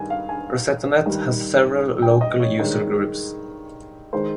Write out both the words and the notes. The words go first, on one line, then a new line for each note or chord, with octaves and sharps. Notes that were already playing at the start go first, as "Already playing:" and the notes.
RosettaNet has several local user groups.
Already playing: G2 D#3 G3 G#5
F5
G#5
G2 D#3 G3
G5
D#5
C#5
G2 D#3 G#3
D#3 G#3 C5